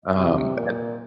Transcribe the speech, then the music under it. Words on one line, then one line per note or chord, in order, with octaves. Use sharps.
Um, and
C3
A#2